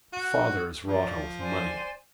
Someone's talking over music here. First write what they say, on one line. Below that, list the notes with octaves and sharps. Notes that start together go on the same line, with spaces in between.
The father is rotto with money.
F#4
F3 D5
C5 D5 G#5